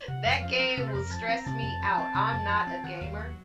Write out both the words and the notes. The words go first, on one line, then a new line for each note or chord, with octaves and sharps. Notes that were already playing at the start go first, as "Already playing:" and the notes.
That game will stress me out, I'm not a gamer.
C3 F#5
F2 F5
F3 F5
C4 A#4
C3 A4
C5
F2 A#4
F3 A5
C4 A#5
C3 A5
F2
F3
C4
C3
F2
F3
C4
D#3 F#5
D#2 F5
F#3 F#4